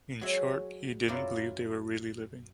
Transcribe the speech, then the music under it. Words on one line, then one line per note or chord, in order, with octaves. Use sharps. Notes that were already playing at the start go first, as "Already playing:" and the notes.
In short, he didn't believe they were really living.
F#3 G#3 F#4 C#5 E5
F#2 F#3 E4 F4 D5 A#5